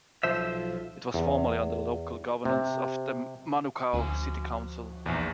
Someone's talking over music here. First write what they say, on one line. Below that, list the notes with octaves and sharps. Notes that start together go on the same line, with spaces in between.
It was formerly under the local governance of the Manukau City Council.
B1 F3 C5 E5
E2
C3
D2 F3 F#4 G#5
A#1 E2 D#4 D5